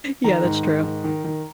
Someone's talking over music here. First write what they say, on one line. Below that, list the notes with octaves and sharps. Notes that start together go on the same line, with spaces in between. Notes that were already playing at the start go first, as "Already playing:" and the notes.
Yeah, that's true.
D#3 A#5
G#2
G#2
D#3
D#3
D#3